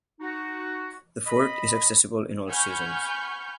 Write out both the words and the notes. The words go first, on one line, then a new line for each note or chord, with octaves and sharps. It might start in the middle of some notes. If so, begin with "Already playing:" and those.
The fort is accessible in all seasons.
D#4 F#4
D#5 B5
F#5 G#5 B5 C#6 F6 G6